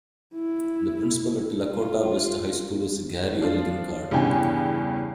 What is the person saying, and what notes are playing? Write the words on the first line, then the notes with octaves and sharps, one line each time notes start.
The principal at Lakota West High School is Gary Elgin Card.
E4
F4
F3 D4 F4
E2 G2 C#3 C#4 G5 G#5